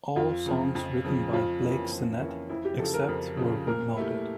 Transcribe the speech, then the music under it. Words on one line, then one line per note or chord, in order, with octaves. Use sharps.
All songs written by Blake Sennett, except where noted.
F2 F4
C#3 F3
F2
C#3 F3
F2 F4
E3 A#3 C#4
F2
E3 A#3 C#4
F2 E4
G4
C#3 F3 A4
A#4
F2
C#3 F3
A#2 A#4
A3 E4 G4